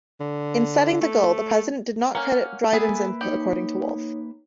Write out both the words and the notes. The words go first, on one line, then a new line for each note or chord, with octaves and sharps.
In setting the goal, the president did not credit Dryden's input, according to Wolfe.
D3
A3
A#3 C#4 F#5 F6
A#3 B3 G#4 A4 B4 E5 G#5
D#4 G4 C#5